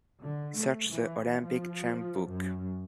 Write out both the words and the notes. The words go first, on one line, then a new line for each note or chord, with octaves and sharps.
Search The Olympic Champ book.
D3
A3
E3
F3
F#2